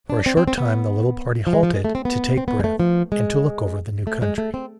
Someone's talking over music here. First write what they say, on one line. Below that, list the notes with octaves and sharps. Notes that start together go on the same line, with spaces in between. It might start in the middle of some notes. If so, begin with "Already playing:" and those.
For a short time the little party halted to take breath and to look over the new country.
D4
C4
C4
C4
B3
F3
G#3
F3
G#3
A3
C4
B3
C4
B3
G#3
A3
F3
G#3
A3
G#3
A3
C4